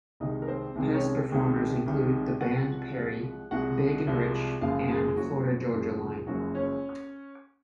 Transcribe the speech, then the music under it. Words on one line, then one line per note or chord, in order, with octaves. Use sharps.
Past performers include The Band Perry, Big and Rich, and Florida Georgia Line.
C2 C3 D#3 G#3 D#4 D#5
A#4
C4 C5
C2 C3 D#3 G#3
C#4 C#5
C2 C3 D#3 G#3
C2 C3 D#3 G#3
C2 C3 F3 G#3 F#4 F#5
C2 C3 F3 G#3
C2 C3 F3 G#3 F#4 F#5
C2 C3 F3 G#3
F#1 F#2 F3 G#3 F4 F5
G#3 G#4
F#1 F#2 F3 F#3 G#3 F#4
F#1 F#2 F3 G#3
F#1 F#2 F3 F#3 G#3 F#4
C#4 C#5